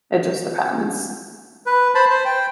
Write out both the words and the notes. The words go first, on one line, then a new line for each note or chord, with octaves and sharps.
it just depends.
B4
C5 A5 B5
C5
G5